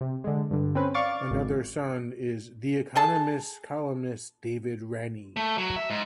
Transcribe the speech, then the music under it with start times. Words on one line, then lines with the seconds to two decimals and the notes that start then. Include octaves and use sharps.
Another son is "The Economist" columnist David Rennie.
0.01 C3
0.24 D3 G#3
0.51 G2 D3
0.75 C4 C#4 B4
0.94 D5 F5 C#6 D6 A6
1.31 G#1
2.96 G#4 A4 A5
5.37 A3
5.58 F#3
5.76 E5
5.90 G#2